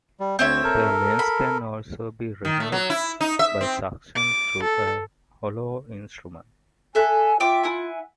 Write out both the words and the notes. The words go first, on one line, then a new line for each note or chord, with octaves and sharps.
The lens can also be removed by suction through a hollow instrument.
G3
D2 C4 C#5 E5
A4 A#4
B5
D#3
A3
F#3
E4
D#4
E5
C4
D6
A4
A4 E5 G#5 F#6
F4 E5 G5 D6
E4 F#5 G#5